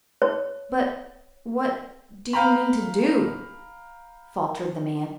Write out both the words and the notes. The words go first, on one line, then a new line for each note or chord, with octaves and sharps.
"But what--do you mean--to do?" faltered the man.
C#5
F5 G5 A#5 B5